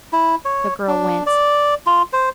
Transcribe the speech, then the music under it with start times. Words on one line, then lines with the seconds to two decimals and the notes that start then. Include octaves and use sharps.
The girl winced.
0.13 E4
0.45 C#5
0.88 D4
1.26 D5
1.86 F4
2.13 C5